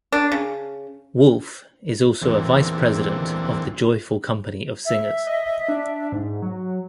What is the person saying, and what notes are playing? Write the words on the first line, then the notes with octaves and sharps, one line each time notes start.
Woolf is also a Vice President of the Joyful Company of Singers.
D4
C#3
E2 A#2 D3 E3 C4
E5
D#5
D4
G#2
F#3